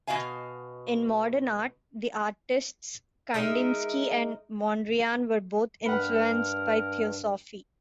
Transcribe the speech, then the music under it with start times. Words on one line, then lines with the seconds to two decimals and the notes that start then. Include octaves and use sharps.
In Modern Art, the artists Kandinsky and Mondriaan were both influenced by theosophy.
0.07 B2 C4 F#4 D#5 F5 G#5
3.34 G#3 D#4 A#4 E5
5.85 G2 A#4 B4 F#5